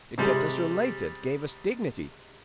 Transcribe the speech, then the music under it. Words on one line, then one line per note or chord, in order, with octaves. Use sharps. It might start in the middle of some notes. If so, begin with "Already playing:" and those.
It kept us related--gave us dignity....
C3 G3 G#3